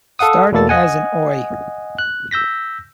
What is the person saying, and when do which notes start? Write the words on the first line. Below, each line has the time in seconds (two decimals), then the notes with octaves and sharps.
Starting as an Oi!
0.19 A4 F5 F#5 D#6
0.52 E2 B2 A#3 A4 A6
0.69 D#5 F#5 G#5
1.99 F#6
2.31 E6 G6 A#6 B6